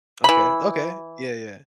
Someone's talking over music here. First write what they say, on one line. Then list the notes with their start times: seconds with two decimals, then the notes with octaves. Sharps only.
Okay, okay. Yeah, yeah.
0.24 E3 B5